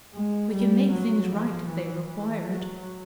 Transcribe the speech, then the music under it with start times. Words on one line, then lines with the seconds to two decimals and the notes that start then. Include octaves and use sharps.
We can make things right if they require it.
0.14 G#3
0.52 G3
0.92 F#3
1.30 F3
1.69 E3
2.08 E3
2.47 F#3